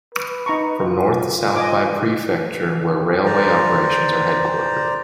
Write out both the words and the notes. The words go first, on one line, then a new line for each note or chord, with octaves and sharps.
From north to south by prefecture where railway operations are headquartered.
B4
D#4 A#5 C#6
F4
F4
D#5 G#5 D6
G#2
C5 D5 A#5